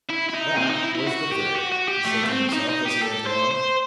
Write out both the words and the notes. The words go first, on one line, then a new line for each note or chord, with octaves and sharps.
'That was the third', he said to himself, as he went along.
E4
E4
D#4
C4
D#4
E4
E4
F#4
G4
F#4
F#4
G4
A3
B3
C4
C4
D#4
D#4
G4
A4
C5
C5